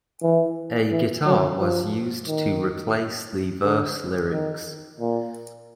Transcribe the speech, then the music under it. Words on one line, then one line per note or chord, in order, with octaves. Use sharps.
A guitar was used to replace the verse lyrics.
E3
E3
F#3
F3
D#3
D3
D#3
A#2